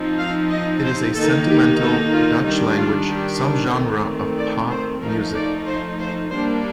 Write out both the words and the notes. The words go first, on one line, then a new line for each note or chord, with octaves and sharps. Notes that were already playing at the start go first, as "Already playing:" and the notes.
It is a sentimental, Dutch-language subgenre of pop music.
Already playing: F3 C4 D#4
F5
D#5
C5
D#3 A#3 D#4 A4
G4
A4
F4
D#3 G3 D4 D#4
F4
G4
D#3 A3 C4
D5
C5
F3 A3 D#4 A#4
D5
C5
C5
G3 A#3 D4 C5